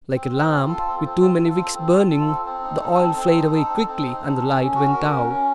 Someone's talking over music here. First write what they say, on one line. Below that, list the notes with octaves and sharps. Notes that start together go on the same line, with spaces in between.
Like a lamp with too many wicks burning, the oil flared away quickly, and the light went out.
C4
C4
F4
A4
C4
C4
F4
A4
C4
C4
F4
A4
C4
C4
D#4
A4
C4
C4
D#4
A4
C4
C4
D#4
A4
C#4
C#4
F#4
A#4
C#4
C#4